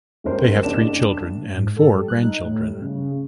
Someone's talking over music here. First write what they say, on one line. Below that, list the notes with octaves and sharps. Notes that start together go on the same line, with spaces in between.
They have three children and four grandchildren.
D#1 C#2 G2 A#4 C5
F#1 C2 D4 E7
G#2
A4
G3
F#6
D#4
A2
G2
C#3